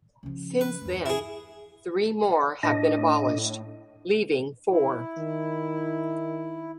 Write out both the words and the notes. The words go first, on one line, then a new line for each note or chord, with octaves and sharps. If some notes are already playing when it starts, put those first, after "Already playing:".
Since then, three more have been abolished, leaving four.
C#3 F3
B4
E2 G2
E4 G#4
A2 D4 D#5
E4
D#3